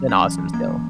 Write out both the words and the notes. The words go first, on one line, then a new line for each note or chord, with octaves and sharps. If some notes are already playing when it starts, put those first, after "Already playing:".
an awesome skill.
Already playing: F#3
C#4 A#5
E3
E3
A#3 A#5
E3